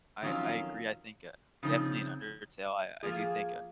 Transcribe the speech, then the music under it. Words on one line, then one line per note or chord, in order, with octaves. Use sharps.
I I agree, I think, uh, definitely in Undertale, I I do think, uh,
F2 D#3 F#3 C#4 F4
C#3 F3 C4 D#4
F3 A#3 F4 G#4